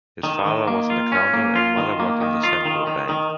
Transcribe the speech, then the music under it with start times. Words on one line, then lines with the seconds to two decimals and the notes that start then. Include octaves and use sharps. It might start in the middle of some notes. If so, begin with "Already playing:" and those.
His father was an accountant and mother worked in the Central Bank.
0.23 D#3
0.46 D#3
0.68 A#3
0.90 F4
1.12 C#4
1.33 A#3
1.56 F4
1.77 D#3
2.00 A#3
2.21 D#3
2.43 F4
2.65 D#3
2.87 D#3
3.09 D#3